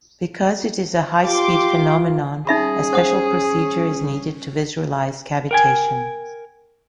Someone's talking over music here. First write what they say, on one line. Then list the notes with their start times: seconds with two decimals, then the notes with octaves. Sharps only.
Because it is a high-speed phenomenon, a special procedure is needed to visualize cavitation.
1.26 F4 G4 C6 D6
2.47 G3 C#4 D#4 G#4 E5 B5
2.93 C5 F#5 D#6
5.51 A#4 G5 G#5